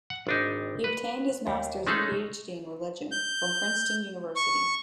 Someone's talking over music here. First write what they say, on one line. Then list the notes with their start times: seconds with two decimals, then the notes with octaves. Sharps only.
He obtained his master's and Ph.D in religion, from Princeton University.
0.10 F#5
0.27 G#1 D4 D#4
0.84 B4
1.47 D#2
1.87 G#3 A3 C#4 D#4 G#4 A4
3.11 G6
4.36 C#6